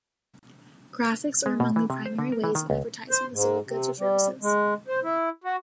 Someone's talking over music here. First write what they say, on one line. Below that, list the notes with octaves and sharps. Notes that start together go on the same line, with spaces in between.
Graphics are among the primary ways of advertising the sale of goods or services.
G#3
B2
E3
C3
C5
D3
A#4
E3
D#3
C#2
C5
G#2
C3
G3
G#3
C5
E4
F#4